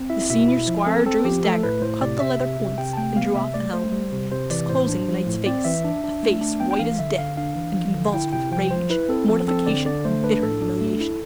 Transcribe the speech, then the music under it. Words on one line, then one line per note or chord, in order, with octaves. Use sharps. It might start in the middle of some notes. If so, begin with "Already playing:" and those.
The senior squire drew his dagger, cut the leather points, and drew off the helm, disclosing the knight's face--a face white as death, and convulsed with rage, mortification, and bitter humiliation.
Already playing: C4
E4 E5
B2 E5
E4
F3
C4 A4
C4 A4
F3 G4
A3 A4
A2 B4
A2 C5
C3 D5
C3 E5
C3
C3
C3 G5
A5
A3 G5
B3 F5
C3 E5
A3 D5
A3 C5
G3
C3
C3 C5
E3 D5
A2 C5
D4
F3
A2
C4 D5
E3 E5
D4
D4
A3
D4
B3 G5
G5
E3 F5
D3 E5
D3 F5
D4 F5
E3
F3
D3
E4 G5
C3 G5
F3 G5
F3 C5
E4 B4
C4 A4
F3 A4
C4 A4
D3 D5
D3 D5
A3 C5
D4 B4
A2 A4
D4
A3
E4